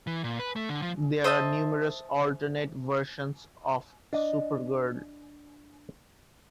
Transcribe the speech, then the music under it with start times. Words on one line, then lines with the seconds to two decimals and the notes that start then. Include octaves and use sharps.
There are numerous alternate versions of Supergirl.
0.07 E3
0.24 A#2
0.39 B4
0.56 A3
0.69 D3
0.82 F3
1.24 C5 D#5 E5 A5
4.13 D4 D#5